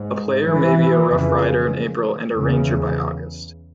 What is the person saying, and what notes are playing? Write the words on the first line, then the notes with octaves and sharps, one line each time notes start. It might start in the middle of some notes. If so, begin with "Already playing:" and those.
A player may be a RoughRider in April and a Ranger by August.
Already playing: G#2
E3
F2 C#3
E2 C#3